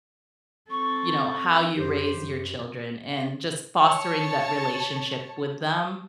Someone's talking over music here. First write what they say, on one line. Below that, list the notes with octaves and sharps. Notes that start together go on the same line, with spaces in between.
you know, how you raise your children, and just fostering that relationship with them,
C4 A4 C#6
F#2 G4 C5
F#2
C#5 A5